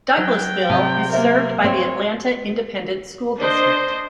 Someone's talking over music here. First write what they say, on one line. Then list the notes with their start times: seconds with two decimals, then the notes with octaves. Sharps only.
Douglassville is served by the Atlanta Independent School District.
0.18 F#3 C5 F#5 G5
0.70 C3 D#5 A5
1.13 A#3 A#4 C5 D#5 E5
1.64 C4 C#5 D5
3.37 D4 C5 D#5